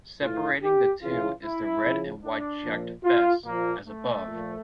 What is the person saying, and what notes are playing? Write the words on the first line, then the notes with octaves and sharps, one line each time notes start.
Separating the two is the red and white checked fess, as above.
A2 E3 F4
G4
C#3 E3 F4
E4
C#3 F3
D4
A#2 F3
F4
A#2 F3 A#3
A3
A#2 F3